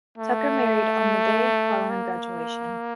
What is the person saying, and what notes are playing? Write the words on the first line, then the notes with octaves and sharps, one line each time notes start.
Tucker married on the day following graduation.
A3
A#3